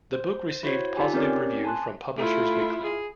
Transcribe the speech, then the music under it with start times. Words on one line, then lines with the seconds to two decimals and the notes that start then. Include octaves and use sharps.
The book received positive review from Publishers Weekly.
0.13 C5
0.63 E4 F#4 C5 C#5
0.97 D#4 F4 G4 G#5
1.14 C4 C#4 G4 A#4 C#5 D5
1.64 G#5 A5 C6 F#6
2.17 A3 E4 F4
2.84 G#4